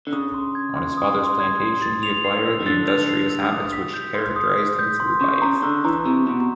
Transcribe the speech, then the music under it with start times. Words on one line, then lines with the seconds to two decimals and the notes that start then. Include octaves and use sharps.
On his father's plantation he acquired the industrious habits which characterized him through life.
0.07 D3
0.12 C#3 D#6
0.34 C6
0.55 G#6
0.76 C6
0.98 D#6
1.19 C6
1.40 G#6
1.61 C6
1.82 A6
2.03 F7
2.24 C7
2.46 E6
2.61 D#3
2.66 D3 A6
2.88 F7
3.09 C7
3.30 E6
3.51 D#6
3.72 B6
3.94 G6
4.15 C6
4.36 D#6
4.58 B6
4.79 G6
5.00 C6
5.21 C#3 C#6
5.42 C#3 A#5
5.63 D3 E6
5.85 E3 A#5
6.06 C3 C#6
6.26 B2 A#5